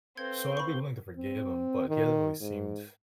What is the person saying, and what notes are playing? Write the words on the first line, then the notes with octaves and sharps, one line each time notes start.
So I'll be willing to forgive him, but he hasn't really seemed,
C4 A4 B4 F5 G6 G#6
B5 C#6
C4
D#3
G#2